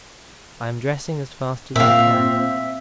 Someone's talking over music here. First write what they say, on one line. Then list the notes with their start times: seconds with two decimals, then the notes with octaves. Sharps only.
I am dressing as fast as I can.
1.76 A#2 C4 E5 F5